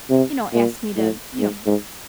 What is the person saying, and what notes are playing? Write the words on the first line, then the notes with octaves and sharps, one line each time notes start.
you know, ask me to, you know,
C3
A#2
A2
G#2
G#2